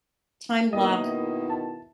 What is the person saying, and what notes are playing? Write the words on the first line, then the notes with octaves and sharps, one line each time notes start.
time block,
B2 D#3 A#3 E4 D#5
A5